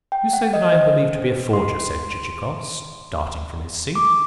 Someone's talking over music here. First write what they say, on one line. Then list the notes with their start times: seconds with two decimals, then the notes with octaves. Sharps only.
"You say that I am believed to be a forger?" said Chichikov, starting from his seat.
0.12 G5
0.33 F#5
0.53 D#5
0.72 C5
1.53 C6
3.95 D6